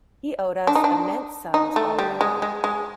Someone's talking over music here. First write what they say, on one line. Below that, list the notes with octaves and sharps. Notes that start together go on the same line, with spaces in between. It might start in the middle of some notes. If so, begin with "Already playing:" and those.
He owed us immense sums all round.
D4
D#4
D4
D#4
A3
G3
G#3
G#3
G#3